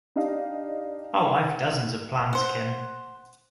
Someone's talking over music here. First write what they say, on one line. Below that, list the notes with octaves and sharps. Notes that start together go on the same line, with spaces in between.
Oh, I’ve dozens of plans, Kim.
D4 D#4 G4 D#5 F5
C5 F#5